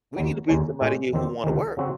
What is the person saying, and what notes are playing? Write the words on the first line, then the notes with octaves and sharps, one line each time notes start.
We need to bring somebody here who wanna work.
D#2 D#3 F#3
D#2 D#3 G#3 C#4
A2 G#3 C#4
E2 D#3 F#3 C4
C#2 C3 D#3
C#3 F#3 C4 F#4